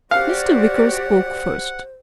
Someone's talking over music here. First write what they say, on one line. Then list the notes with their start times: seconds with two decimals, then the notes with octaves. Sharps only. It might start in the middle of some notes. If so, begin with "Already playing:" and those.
Mr. Wicker spoke first.
0.11 F#4 G4 C5 D5 F5 F#5